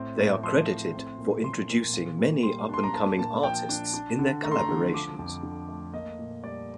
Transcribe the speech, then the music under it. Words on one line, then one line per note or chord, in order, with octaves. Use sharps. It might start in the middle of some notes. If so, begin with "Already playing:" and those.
They are credited for introducing many up and coming artists in their collaborations.
Already playing: A2 C4
A2
F3 C6
A2
C4
A#2
F3 C6
A#2
A#3
A#2
G3 C6
D4 C6
A#5
A#3 A5
A#2 A5
F3 G5
D4
D4
D3
A3 A#5
C6
A#5
D3
F3 D6
F2
D3
A3
A#3 D#5
A#2
G3 D5